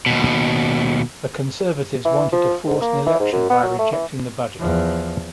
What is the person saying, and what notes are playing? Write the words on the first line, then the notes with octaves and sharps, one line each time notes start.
The Conservatives wanted to force an election by rejecting the budget.
D#2 B2
E3
F3
G#2
A#3
E3
G#2
F#2
B3
F#3
A3
E3
E2 F3